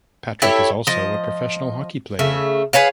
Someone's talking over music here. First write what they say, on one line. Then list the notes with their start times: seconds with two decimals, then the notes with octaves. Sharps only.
Patrick is also a professional hockey player.
0.42 E4 G4 A4 C#5
0.87 F3 D#5
2.19 C#3 A3 E5
2.73 G#4 B4 C#5 F5